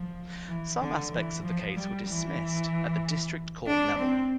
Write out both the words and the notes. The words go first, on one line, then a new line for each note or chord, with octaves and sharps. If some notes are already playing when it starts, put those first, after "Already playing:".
Some aspects of the case were dismissed at the District Court level.
Already playing: F3
E3
D3
E3
F3
G3
E3
D4
C4